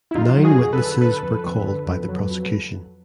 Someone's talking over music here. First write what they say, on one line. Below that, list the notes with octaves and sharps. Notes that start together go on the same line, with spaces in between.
Nine witnesses were called by the prosecution.
E4
F2 D#4 F4
F#3
F#4 G#4
F2
A4 B4
D3
D3 A4 B4
F2
F2
D3
F2
F#3
F2